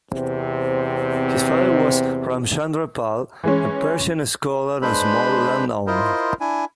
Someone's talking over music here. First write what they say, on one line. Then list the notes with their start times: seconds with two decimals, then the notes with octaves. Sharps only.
His father was Ramchandra Pal, a Persian scholar and small landowner.
0.12 E2 C3 C4
3.43 E3 G#3 C#4
4.82 G#3 D4 B4 C5 B5
5.87 E4 F4 A#4 C5 D#5
6.40 D4 E4 G#5